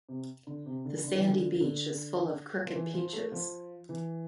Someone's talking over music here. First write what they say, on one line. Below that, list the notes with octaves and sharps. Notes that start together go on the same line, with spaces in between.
The sandy beach is full of crooked peaches.
C3
D3
C3
D3
D3
E3
D3
D3
F3
E3
F3
A3
F3
E3